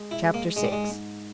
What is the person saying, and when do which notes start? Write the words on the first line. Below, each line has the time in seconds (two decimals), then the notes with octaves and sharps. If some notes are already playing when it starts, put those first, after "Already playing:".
Chapter VI.
Already playing: G#3
0.11 E4
0.22 G#3
0.34 A#3
0.56 G#2 G#3
0.64 G3
0.72 G#3
0.89 G#2